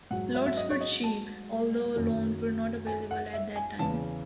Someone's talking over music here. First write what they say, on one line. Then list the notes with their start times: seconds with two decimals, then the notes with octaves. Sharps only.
Lots were cheap, although loans were not available at that time.
0.11 G#2 F#3 F#5
0.35 E5
0.46 E5
0.57 D#5
0.70 C#5
0.81 D#5
1.04 A5
1.96 F#2 D#3 F#3
2.87 G#5
3.11 F#5
3.34 E5
3.56 G#5
3.79 E2 C#3 E3 A5